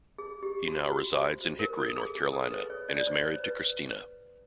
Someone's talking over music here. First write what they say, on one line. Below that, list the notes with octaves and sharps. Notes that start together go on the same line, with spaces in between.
He now resides in Hickory, North Carolina, and is married to Christina.
G#4
G4
F#4
F#4
C5
C5
A#4
A4
G#4
G#4
A4
B4
C#5
D5
C5
C#5
B4